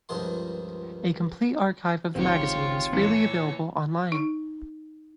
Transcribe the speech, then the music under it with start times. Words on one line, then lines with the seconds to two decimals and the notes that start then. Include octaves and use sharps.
A complete archive of the magazine is freely available online.
0.09 C#2 G2 D#3 F3 D#5 C6
2.15 G#1 C#2 G#2 C4 F4 G4 C#5
2.92 A#2 E3 A4 C#5 C#7
4.12 D#4